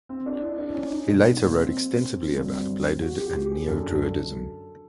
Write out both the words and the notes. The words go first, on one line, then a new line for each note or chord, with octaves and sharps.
He later wrote extensively about Bladud and Neo-Druidism.
C4
D4
E4
D4
C#4
D#4
B2 F#3 D#4
D4
A#3
C4
G2 D3 F#3 C4
F#4
G4
G4
G#4
F#2 D3 F#3 A4